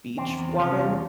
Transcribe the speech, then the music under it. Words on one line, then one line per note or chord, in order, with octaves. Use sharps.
beach water
E2 C4
E2
C3 C#4 F4
E2